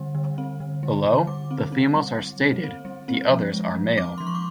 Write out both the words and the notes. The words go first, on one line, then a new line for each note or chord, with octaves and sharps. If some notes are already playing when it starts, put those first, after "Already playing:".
Below, the females are stated, the others are male.
Already playing: D3 G3 C4
D3
C4
D3
G3
D3
G3 D6
C4
C4
G3
G3
C4
C4
G3
C4
F3
G#3
F3
C4 D6
F3 C6
C#6
D6